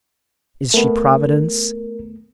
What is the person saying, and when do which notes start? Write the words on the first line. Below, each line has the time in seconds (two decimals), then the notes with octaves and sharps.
Is she Providence?
0.74 A3 B3 A#4